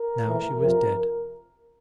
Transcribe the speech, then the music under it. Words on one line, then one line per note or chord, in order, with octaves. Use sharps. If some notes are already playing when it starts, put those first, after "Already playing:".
Now she was dead.
Already playing: A#4
A2 E3
F2 C3 F3 A#4